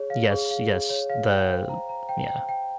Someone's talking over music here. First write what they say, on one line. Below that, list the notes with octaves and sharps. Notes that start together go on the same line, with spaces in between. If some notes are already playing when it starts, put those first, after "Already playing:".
Yes, yes. The yeah.
Already playing: G#4 C#5
F5
G#4
F5
G#4
C#5
F5
G5
C5
A#5
A#5
G5
G5
G5